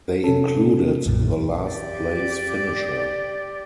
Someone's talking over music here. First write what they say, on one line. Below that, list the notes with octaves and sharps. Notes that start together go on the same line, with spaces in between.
They included the last place finisher.
C3 C#4 A4
B1 F#2 A#2
G4 D5